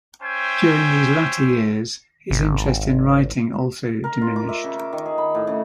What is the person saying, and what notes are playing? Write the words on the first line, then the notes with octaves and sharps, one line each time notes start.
During these latter years, his interest in writing also diminished.
C#4 C5 E5 G5 G#5
G#1
A#4
F4
D6
E5
C#3
D6
D#3
G#4
B5
A2
C#3